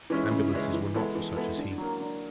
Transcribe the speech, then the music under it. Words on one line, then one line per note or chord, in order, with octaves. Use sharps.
Ambulances were not for such as he.
E3 G#3 C#4 E4
C#3
E3 G#3 C#4 E4
E3
G#3 B3 E4 A4
E3
G#3 B3 E4 A4
D3
F#3 A#3
D3